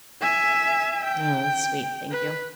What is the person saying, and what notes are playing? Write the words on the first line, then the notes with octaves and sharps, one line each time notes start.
Oh, that's sweet, thank you.
E5 G#5
G5
B4